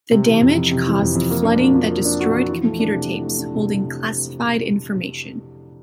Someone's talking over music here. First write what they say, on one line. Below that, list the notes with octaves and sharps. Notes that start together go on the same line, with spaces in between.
The damage caused flooding that destroyed computer tapes holding classified information.
C3
E3
F2
F2
C3
E3
F2
F2
A#3
D4
F#4
F3
A#3
D4
F#4
F3
E3
A3
D4
C3
E3
A3
D4
C3